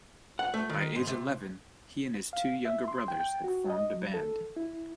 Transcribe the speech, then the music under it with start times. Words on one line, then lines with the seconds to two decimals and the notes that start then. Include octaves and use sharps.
By age eleven, he and his two younger brothers had formed a band.
0.39 F#5
0.54 A3
0.69 D#3
0.96 G#2
1.07 C3
2.33 F5
2.65 E5
2.88 C6
3.08 G5
3.20 G5
3.44 F#4
3.70 D#5
3.94 F#3
4.14 A4
4.57 E4